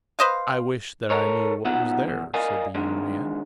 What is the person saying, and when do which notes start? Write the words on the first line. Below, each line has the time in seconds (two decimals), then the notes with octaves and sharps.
"I wish that I knew what was there," said the young man.
0.19 B4 C5 D#5 F5
1.10 A4 A#4 C#5
1.65 B3 D#4 F4 E5 F#5
2.04 E2 G2
2.34 A#4 D5 D#5 F5 G#5
2.75 D#3 G#3 D4